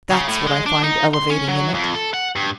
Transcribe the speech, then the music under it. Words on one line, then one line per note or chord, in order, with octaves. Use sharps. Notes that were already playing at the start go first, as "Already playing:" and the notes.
That's what I find elevating in it.
C#3
A2
G#3
D4
D#4
C6
C#4
F#3
F2
A4
F#5
G2